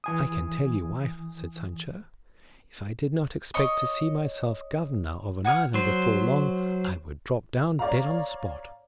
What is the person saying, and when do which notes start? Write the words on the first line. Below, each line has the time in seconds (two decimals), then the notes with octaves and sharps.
"I can tell you, wife," said Sancho, "if I did not expect to see myself governor of an island before long, I would drop down dead on the spot."
0.04 E3 G#5 D#6
3.54 C#5 D#5 C#6
5.45 F#5 G#5 D#6 F6
5.74 F#3 C5
7.79 C#5 D5 F5 A#5